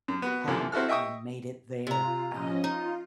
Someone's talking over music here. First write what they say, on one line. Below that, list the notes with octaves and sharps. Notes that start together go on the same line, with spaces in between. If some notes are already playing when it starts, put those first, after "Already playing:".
haven't, uh, made it there, uh,
F#2
B3 F#4
C2 F#2 A#2 E3 F3 A3
C4 E4 F#4 A4 F6
D#5 E5 G5 C#6 D#6
C3 F4 A#5
F3 C#4 D#5
D#4 F4